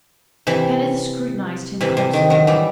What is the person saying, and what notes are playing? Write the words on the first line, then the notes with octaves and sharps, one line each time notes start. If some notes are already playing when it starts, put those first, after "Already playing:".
Kenneth scrutinized him closely.
C3 E3
C3 E3
C3
D#3
D#3 F#3
E3 G3